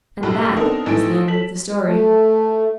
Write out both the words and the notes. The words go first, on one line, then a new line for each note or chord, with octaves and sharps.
And that is the end of the story.
B1 F#2 G#3 G4 B5
B3 C4 D4 D#4 A4 A#4
A1 E3 A3 D#4 D#5 D7
A4 B6 F#7
A3